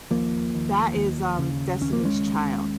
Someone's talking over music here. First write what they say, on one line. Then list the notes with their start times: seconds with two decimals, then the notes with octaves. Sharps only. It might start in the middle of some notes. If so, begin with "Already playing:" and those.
That is, um, Destiny's Child.
0.11 D#2 F3 A#3
0.54 D#2
0.95 D#2
1.39 C#3
1.81 D#2 C#4
1.93 A#3
2.05 G#3 C#4
2.24 D#2